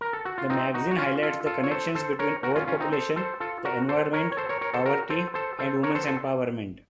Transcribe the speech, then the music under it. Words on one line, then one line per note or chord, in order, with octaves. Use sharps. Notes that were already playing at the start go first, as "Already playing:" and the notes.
The magazine highlights the connections between overpopulation, the environment, poverty, and women's empowerment.
A#4
A4
F#4
F4
C4 D#4
D#4 F#4
F#4
C#4 F4
F4 A4
F4 A4
C#5
A4 C5
A4 C5
A#4 C#5
F#4 A#4
C#4 F4
C#4 F4
C4 D#4
A4 C5
A4 C5
F4 A4
F#4 A#4
A4 C5
A#4 C#5
C#5
A4 C5
A#4 C#5
A#4 C#5
A4 C5
F#4 A#4
A4 C5
A4 C5
A4 C5
A#4 C#5
A4 C5
A4 C5